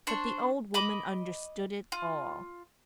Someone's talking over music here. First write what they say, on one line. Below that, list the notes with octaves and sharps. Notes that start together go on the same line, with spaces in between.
But the old woman understood it all.
D4 C5 C#6
D#5 B5 D6
F4